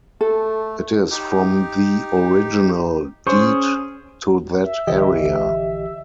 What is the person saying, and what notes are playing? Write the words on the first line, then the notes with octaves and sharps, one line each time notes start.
It is from the original deed to that area.
A3 A4
D#4 G4
C#4 G#4 C5 C#6
E5
A#1 D3 E3 G4 D#5